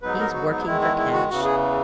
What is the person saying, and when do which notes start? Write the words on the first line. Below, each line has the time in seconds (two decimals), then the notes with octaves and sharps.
He's working for cash.'
0.02 G#2 F#3 B3 D#4 B4
0.19 A#4
0.34 F#4
0.50 D#4
0.66 E2 D#3 G#3 E4
0.82 E4
0.98 E4
1.13 F#4
1.29 E2 C#3 E3 F#4
1.45 G#4